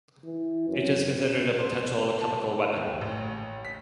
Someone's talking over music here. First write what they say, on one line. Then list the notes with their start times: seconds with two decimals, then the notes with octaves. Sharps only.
It is considered a potential chemical weapon.
0.24 E3
0.68 F#2
1.27 E7
1.59 C5
2.21 A5
2.76 D#2
3.01 A1
3.65 B6